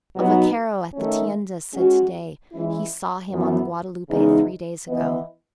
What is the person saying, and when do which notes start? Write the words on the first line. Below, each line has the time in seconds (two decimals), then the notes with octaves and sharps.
A /vaquero/ at the /tienda/ said to-day he saw him on the Guadalupe three days ago.
0.15 B2 F#3 B3 D#4 F#4
0.94 D#3 A3 C#4
1.73 G#3 C#4 F#4
2.52 E3 G#3 C#4 E4
3.30 F#2 E3 B3
4.09 E2 C#3 G#3 D#4
4.88 E3 B3 E4 B4 D#5